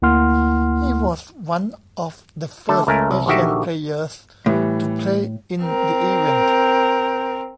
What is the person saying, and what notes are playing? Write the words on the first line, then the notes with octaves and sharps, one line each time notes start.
He was one of the first Asian players to play in the event.
D2 A#3 E4 F#5 C6 F6
D3 A3 A4 A5
C#2 A3 A#4 G#5
C2
A#1 D3 D#3 F#4 G4 E5
A2 E3 G3
C4 A#4